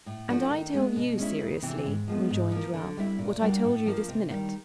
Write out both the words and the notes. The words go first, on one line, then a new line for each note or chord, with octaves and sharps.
'And I tell you seriously,' rejoined Ralph, 'what I told you this minute.
A2
F3 A3 D4 F#4
D#3
G#3 B3
B2
G#3 C#4 E4
D2
C3 E3
G#2
F3 G#3 B3
G#2
F3 A#3
D3
G3 C4 E4
A#2
G3 A#3 D4 F#4
A2
F3 A#3
C3
D#3 G3